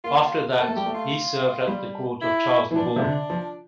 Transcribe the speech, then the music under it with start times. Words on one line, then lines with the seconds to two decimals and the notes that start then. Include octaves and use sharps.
After that, he served at the court of Charles the Bald.
0.04 A#3 F4
0.58 A#3 A4
0.68 A3
0.76 G3 G4
0.86 A3
0.94 F4
1.67 G3
2.21 E4
2.71 E3
2.76 F3 D4
2.96 C3
3.02 D3
3.30 F3